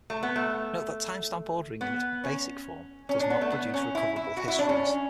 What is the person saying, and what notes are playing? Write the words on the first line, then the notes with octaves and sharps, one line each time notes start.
Note that timestamp ordering in its basic form does not produce recoverable histories.
A3
B3
A3
B3
C#4
C#4
D4
B3
A3
B3
C#4
E4
E4
F#4
E4
D4
C#4